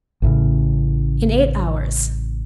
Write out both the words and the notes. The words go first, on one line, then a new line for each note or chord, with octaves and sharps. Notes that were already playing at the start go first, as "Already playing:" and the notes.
"In eight hours."
A1 A2 C#3